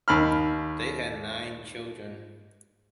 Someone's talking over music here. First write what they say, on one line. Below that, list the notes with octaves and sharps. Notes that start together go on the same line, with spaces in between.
They had nine children.
D#2 B5 F6